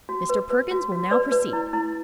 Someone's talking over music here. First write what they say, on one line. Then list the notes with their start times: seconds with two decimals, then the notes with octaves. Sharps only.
"Mr. Perkins will now proceed."
0.09 F#4
0.29 B4
0.50 B4
0.71 F#4
0.92 F#4
1.11 B4 D5
1.32 B4
1.53 E4
1.73 E4